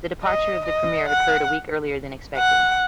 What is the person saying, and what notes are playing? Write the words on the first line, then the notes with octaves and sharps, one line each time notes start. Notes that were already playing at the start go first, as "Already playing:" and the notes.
The departure of the premier occurred a week earlier than expected.
D#5
D#5
F#5
F#5